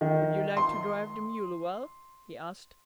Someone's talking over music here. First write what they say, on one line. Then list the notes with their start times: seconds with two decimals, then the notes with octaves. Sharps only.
"Would you like to drive the mule awhile?" he asked.
0.01 D#3
0.57 C6